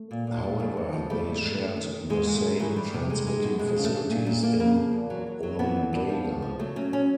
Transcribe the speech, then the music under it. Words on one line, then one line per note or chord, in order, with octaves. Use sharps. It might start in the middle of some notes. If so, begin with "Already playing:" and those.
However, they shared the same transmitting facilities in Onondaga.
Already playing: A3
A#2
A#2
A#2
F2
F2
F3
G3 A3
G#2
G#2
F#2
D#3
D#3
G#2 G#3
G#3
A3
G#2
E3 A3
G3
C3
G#3
G#3
B2
F2 G#3
C#3
A3
C#3
A#2
A#2 A3
A#2 A#3
C#3 A#3
F3
E2
F#3
F#3
F#3
E3 B3
G2
G2
F3
G#3
F3
F#3 A3
F#3 C#4
C#4